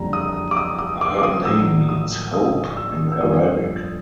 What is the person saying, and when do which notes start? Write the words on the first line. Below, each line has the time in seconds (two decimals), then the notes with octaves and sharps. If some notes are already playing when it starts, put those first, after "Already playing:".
Her name means "hope" in Arabic.
Already playing: F#1 F2 D3 G3 A#5
0.13 D#6
0.51 D6
0.57 D#6
0.79 D#6
1.01 D6
1.19 D6
1.23 D#6
1.45 A#1 A2 F#3 E6
1.89 D#6
2.33 D#6
2.77 E6
3.12 E6
3.21 G1 F2 D3 F3 D#6